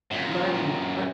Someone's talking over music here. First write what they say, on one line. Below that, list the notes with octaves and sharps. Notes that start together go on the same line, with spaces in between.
learning lear
F#2 A#2